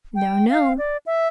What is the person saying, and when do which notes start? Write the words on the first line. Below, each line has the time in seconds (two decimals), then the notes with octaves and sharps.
No, no.
0.16 G5
0.50 F5
0.78 D5
1.06 E5